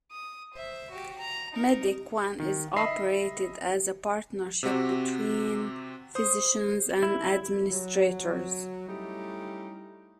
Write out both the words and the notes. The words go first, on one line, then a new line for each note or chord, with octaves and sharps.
Medic One is operated as a partnership between physicians and administrators.
D#6
C5 E5
F#4 G4
A#5
D#4 A#4
D#3
D#5 E5 B5 C7
C3 C4 F#4 G4
C5 D#6
E4
F#3
G3 A3 C#4 D#4 E4 G4